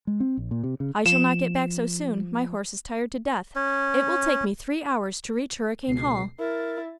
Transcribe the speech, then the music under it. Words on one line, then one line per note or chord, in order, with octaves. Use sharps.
I shall not get back so soon; my horse is tired to death; it will take me three hours to reach Hurricane Hall.
G#3
C4
A#1
A#2
C3
C#3
F3 E7
C#4
C#2 B2 C7
E4 A#4 A6